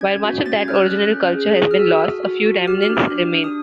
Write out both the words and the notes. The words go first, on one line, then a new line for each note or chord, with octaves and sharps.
While much of that original culture has been lost, a few remnants remain.
C#4 G#6
F#4
C#4 A6
G#6
A4 F6
F#6
C#4 F#6
C#4
G#4
G#4
F6
F#4 E6
A4
F#4
F#4
G4 F6
F6
D4
D4
D4
D#6